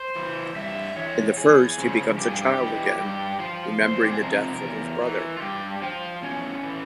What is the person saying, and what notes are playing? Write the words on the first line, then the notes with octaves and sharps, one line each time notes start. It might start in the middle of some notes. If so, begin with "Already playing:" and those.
In the first he becomes a child again, remembering the death of his brother.
Already playing: C5
E3
G2 E5
E3 C#5
E2 G#4
C#3 F3
G2 G4
G#4
G4
E3
G2 G4
F3 F4
E2 C5
G4
G#4
C3 F3 A#4
E2
E3
F4
G2 G4
F3 F4
E2 C#4
E3